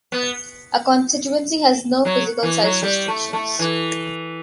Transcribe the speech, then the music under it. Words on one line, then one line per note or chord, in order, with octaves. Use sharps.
A constituency has no physical size restrictions.
B3
F#3
E3
F#3
G3
A3
A3
E3